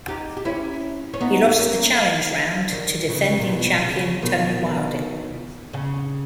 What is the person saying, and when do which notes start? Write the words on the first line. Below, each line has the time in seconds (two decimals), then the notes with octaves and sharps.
He lost the Challenge Round to defending champion Tony Wilding.
0.08 D#4 G4
0.37 G4
0.45 C#4 E4
1.14 C#4
1.21 B3 D#4
1.59 A#3 C#4
2.71 D#3 G3
3.09 C#3
3.38 A#2
3.46 B2
3.85 C#3
4.22 B2 D#3
5.73 C#3